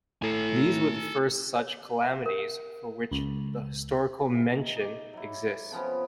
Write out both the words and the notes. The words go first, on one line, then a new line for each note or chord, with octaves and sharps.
These were the first such calamities for which the historical mention exists.
A2 A4 G#5
C#5
E5
A#4
C#2
E5
D#3
D#4 D6
F#3 E4
C3 F3 B3 C#4